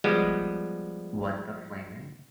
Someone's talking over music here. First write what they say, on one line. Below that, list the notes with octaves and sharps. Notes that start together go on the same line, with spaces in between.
What the flaming.
F3 G3 G#3 B3